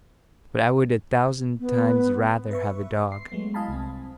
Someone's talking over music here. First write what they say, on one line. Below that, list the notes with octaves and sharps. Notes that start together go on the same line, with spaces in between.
"But I would a thousand times rather have a dog."
B3
B4 E5 C#6
C6 C7
F#3 G#3 A3 B3
E4 D#5 F5 G#5 A5 B5
C2 C4